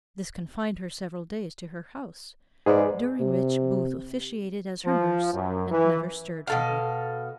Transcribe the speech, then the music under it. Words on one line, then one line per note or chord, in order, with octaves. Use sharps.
This confined her several days to her house, during which Booth officiated as her nurse, and never stirred from her.
G#2 G#4 B4 D5
C3
F3
F#2
E3
B2 A4 F5